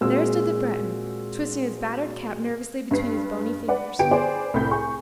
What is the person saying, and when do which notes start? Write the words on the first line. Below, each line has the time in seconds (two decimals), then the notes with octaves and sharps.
There stood the Breton twisting his battered cap nervously between his bony fingers.
0.01 A#2 G#3 C4 F#4 G#4 E6
2.91 G2 B4 C7
3.68 B4 D5 F#5
3.98 G1 B3 G4 G5 D7
4.11 G#4 B4 C5 D5
4.54 C2 A2 B5 G6
4.71 G#4 C#6